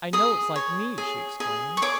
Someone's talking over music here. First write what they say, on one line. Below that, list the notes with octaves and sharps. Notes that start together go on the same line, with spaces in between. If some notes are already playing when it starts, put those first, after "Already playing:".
'I know it's like me!' she exclaimed.
G#4 D#6
C#5
G#4
G#4
C#6
C#5 D6